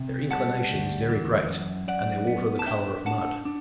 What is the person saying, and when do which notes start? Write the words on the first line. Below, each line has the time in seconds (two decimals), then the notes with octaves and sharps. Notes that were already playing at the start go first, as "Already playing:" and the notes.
Their inclination is very great, and their water the colour of mud.
Already playing: C3
0.31 G3 F#5 A5
0.71 D2
1.09 E3
1.49 F#2
1.88 F#2 D5 F#5
2.27 B3
2.59 A5
2.66 D4 E5 G5
3.06 D4 F#5 A5
3.45 D4